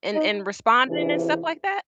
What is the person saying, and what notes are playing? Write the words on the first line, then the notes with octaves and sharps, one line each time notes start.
and and responding and stuff like that?
D#4
C#2 C3 E3